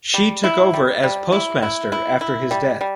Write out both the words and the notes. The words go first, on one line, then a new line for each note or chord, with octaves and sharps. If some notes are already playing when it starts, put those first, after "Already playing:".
She took over as postmaster after his death.
G3
E4
G3
G3
E4
E4
E4
E4
G3
G3